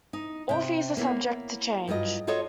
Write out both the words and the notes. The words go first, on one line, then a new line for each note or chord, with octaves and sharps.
All fees are subject to change.
D#4
C3 G5
A#3 B3 E4 C#5
G2 F#3 F4 G#4 D#5
F4 F#4 A4 C#5 D#5